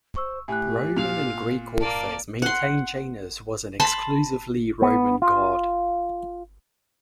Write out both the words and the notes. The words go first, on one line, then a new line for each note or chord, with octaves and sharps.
Roman and Greek authors maintained Janus was an exclusively Roman god.
C5 C#6 E6
A2 G4 G#5 F#6
A#2 F5 F7
A#3 D5 A5
F#5 C6
A5 B5 C6
B3
F4